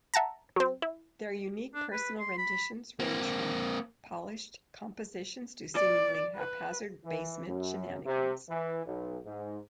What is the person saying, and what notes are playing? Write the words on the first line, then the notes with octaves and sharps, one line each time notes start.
Their unique personal renditions ranged from polished compositions to seemingly haphazzard basement shenanigans.
E5 F#5 A5 A#5
F#3 C4
E4
D4
B4
C6
B5
A#3 C4
D5
B4
E3
F#2
C3
E3
B1
G#2